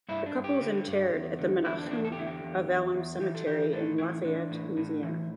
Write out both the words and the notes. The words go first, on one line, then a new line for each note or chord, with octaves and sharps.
The couple is interred at the Menachim Aveilim Cemetery in Lafayette, Louisiana.
G2 E4
D4
G2
G4
D3
G2
E2
D3
E2 E4
D4
C4
E2 D4
A4
G4
D3 E4
G4
E2
E2
E2
E3 G4
A4
E3 G4
A2 A4
E3 E4
E3 D4
A2
A2
E3